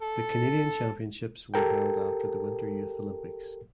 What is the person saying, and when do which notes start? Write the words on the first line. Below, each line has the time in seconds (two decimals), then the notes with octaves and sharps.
The Canadian Championships were held after the Winter Youth Olympics.
0.02 A4
1.54 G4 A4 A#4 G5